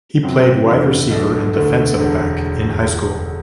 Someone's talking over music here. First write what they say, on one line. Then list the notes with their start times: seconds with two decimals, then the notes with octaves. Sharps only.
He played wide receiver and defensive back in high school.
0.23 F#2 F#3 C4
0.67 E2 D3 A3 E4
1.10 B1 B2 A3 D4
1.54 D2 D3 A3
1.98 E1 E2 D3